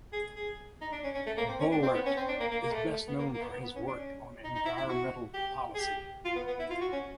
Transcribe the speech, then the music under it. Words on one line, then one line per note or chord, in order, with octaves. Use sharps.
Boehlert is best known for his work on environmental policy.
G#4
G#4
D#4
D4
C#4
C#4
A3
A#3
C4
C#4
D4
C4
B3
C#4
C4
D4
A#3
A#3
A#3
A3
A3
B3
A#3
A#3
B3
B3
B3
C#4
D4
C#4
D#4
D#4
E4
E4
F#4
G4
G#4
G4
F4
B3
B3
E4
F4
F#4
C#4